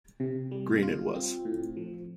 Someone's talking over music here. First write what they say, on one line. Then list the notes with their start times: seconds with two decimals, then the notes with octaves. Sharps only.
Green, it was.
0.20 C3
0.51 G3
0.83 F4
1.14 C4
1.45 A2
1.77 F3